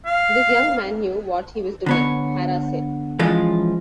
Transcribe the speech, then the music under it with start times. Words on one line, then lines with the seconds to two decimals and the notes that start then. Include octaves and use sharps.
"This young man knew what he was doing," Hara said.
0.06 F5
1.86 D3 B3 C#5
3.19 E3 F3 G#3 C#4 F4